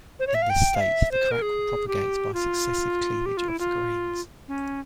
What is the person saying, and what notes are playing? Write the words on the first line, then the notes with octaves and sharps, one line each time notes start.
In this state, the crack will propagate by successive cleavage of the grains.
C5
C#5
E5
F5
G5
F5
E5
C5
A#4
G#4
G4
F4
G4
F4
E4
F4
C#4